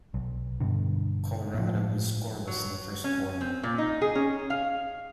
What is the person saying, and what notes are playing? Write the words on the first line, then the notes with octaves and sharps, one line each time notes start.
Colorado was scoreless in the first quarter.
B1
G2 B2 D3
A2 F3
F#3
C#4
C4
A#2
D#4
G#4
C#4
F5